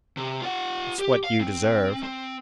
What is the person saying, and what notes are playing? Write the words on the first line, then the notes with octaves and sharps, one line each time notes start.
"It's what you deserve."
C3
F4 F#5
G4
F5
C4
C4